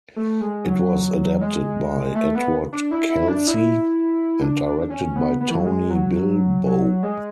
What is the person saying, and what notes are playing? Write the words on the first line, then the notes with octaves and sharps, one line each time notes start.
It was adapted by Edward Kelsey and directed by Tony Bilbow.
A3
G#3
F#3
G#3
A3
B3
D4
E4
E4
D4
E4
D4
D4
C#4
B3
B3
E3
F#3
G#3
F#3
F#3
G#3